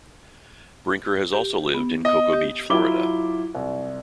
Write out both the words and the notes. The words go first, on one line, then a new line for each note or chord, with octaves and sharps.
Brinker has also lived in Cocoa Beach, Florida.
G4
B3
D#5
G4
F#3 E4 F4 D6 G7
C2